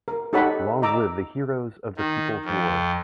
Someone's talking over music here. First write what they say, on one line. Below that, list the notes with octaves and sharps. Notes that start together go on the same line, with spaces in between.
Long live the heroes of the people's war!
A#4
D#4 G4 A4 C#5 F#5 B5
D#5 A#5 D6 E6
D#3
F2